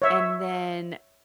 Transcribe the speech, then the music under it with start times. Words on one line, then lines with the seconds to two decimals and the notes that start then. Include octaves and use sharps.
And then,
0.02 C#5 E5